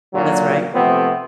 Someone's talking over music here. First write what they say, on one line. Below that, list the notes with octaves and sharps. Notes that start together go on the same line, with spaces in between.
That's right.
A#2 D3 F#3
C3 F3 A3 B3 C4